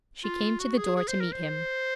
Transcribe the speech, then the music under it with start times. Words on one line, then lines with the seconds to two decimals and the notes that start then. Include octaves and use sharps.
She came to the door to meet him.
0.24 F4
0.59 F#4
0.78 G#4
0.96 G#4
1.08 C5
1.20 A#4
1.32 C5